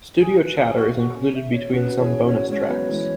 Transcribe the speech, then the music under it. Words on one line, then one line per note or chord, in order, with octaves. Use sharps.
Studio chatter is included between some bonus tracks.
G#4
B4
G#4
G#4
F#4
F#4
C#4
E5
C#5
C#4 F#4 B4
E4 G#4 C#5
C#4 F#4 C#5
G#3 C#4 C#5
F#3 B3
E3 G#3